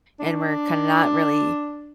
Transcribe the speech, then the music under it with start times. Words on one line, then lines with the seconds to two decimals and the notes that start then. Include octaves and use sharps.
and we're kinda not really
0.20 D4